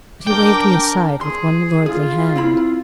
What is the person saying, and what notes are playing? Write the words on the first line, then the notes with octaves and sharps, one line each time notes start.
But he waved me aside, with one lordly hand.
D4 A#4 G5 D6 G6
G#4 C6
F4 G#4
C4 E4 B5